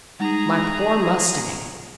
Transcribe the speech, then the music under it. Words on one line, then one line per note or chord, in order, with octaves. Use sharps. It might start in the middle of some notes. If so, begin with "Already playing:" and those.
"My poor mustang!"
G3 G#3 D#4 G#4 A#5